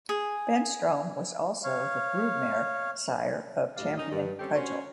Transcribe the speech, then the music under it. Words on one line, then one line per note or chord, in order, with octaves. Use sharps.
Ben Strome was also the broodmare sire of champion Cudgel.
G#4
C#5 F5
D2 A2 G3 D5 D#5 F5
C#4 D#4 A#4 D#5
G2
G3 C4 C#4 G4 A4
C#4 F#4 C5 C#5